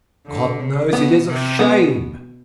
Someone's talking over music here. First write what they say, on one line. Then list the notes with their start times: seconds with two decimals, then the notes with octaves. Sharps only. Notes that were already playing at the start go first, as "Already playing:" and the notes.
"God knows it is a shame!"
0.26 D3
0.59 C#3
0.93 B2 B3
1.27 C3
1.59 B2 B3